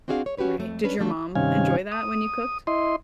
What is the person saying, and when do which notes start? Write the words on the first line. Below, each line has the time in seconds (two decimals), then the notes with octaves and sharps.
Right. Did your mom enjoy that when you cooked?
0.08 C4 D4 F#4 G#4 E5 F5
0.26 C#5
0.37 C#4 F#4 G4 B4 C#5
0.57 F2 A3
0.84 C#4 D4 B4
0.98 D3 F3 G3 A3 D4
1.35 G2 C3 D#3 C#4 F5 G#5
1.92 D#6
2.67 E4 D#5 C6